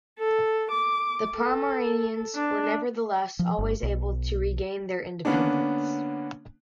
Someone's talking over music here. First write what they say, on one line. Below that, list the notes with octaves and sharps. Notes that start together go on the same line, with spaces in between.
The Pomeranians were nevertheless always able to regain their independence.
A4
D6
A4
D4
F3
G1
B1
D3 A#3 B3 C#4 D4